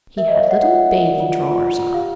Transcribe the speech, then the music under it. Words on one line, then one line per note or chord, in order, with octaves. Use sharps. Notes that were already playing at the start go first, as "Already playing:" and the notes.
He had little bathing-drawers on. . . .
A#4 E5
D#5
C#5
F5
C#5 F#5
F4 F#5
F4
A#4
D5
F4
F4
F4
F4
F4
G4 F5